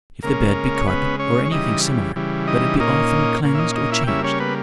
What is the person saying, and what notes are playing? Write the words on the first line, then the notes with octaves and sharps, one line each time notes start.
If the bed be carpet, or anything similar, let it be often cleansed or changed.
C#3 G#3 A#3 C#4 A#4
C#5
C#3 G#3 B3 C#4 B4
C#4 C#5
C#5
C#3 E3 G3 D#4 D#5
C#3 E3 G3
D#4 D#5
A#2 A#3 C#4 D#4 D#5
A#2 A#3 C#4
E5
D#4 D#5
D#4 D#5
E4 E5
G5
C#3 G3 A#3 C#4 E4 E5
C#4 C#5
B3 B4